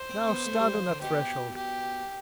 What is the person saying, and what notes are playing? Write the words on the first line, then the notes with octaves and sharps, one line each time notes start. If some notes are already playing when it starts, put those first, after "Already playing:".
Now stand on that threshold.
Already playing: C5
C4
B3
A3
G3
F3
D3
B2 G4
G4